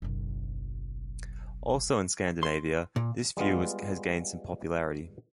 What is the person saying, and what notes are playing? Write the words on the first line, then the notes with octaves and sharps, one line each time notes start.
Also in Scandinavia, this view has gained some popularity.
F#1 B1
C6
A#2
G3 G#3 B3 F4